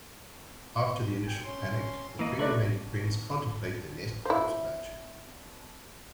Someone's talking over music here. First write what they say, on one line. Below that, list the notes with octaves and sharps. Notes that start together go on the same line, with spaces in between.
After the initial panic, the three remaining friends contemplate their next course of action.
G5 G#5
C#4 C6
E3 A#3 D#5
F#3 A3 B4 D5 D#5 B5 C#6
E4 C5